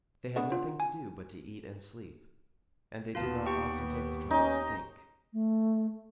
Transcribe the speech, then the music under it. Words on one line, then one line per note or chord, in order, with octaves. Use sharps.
They had nothing to do but to eat and sleep, and they did not often take the trouble to think.
B3 D4 F#4
F4
G#5
D#2 B3 F4 F5 A5
G4 G5 C#6
C#4 D#4
A3